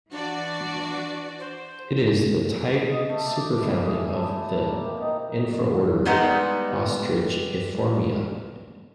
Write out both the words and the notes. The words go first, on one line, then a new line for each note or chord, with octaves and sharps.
It is the type superfamily of the infraorder Bostrichiformia.
E3 D4 F#4 D5
C5
D#5
A3
D5
D5
E4
G#4
E4
A3
A5
A#3
C3
D#4
G3 G#3 B3 D#4 F#5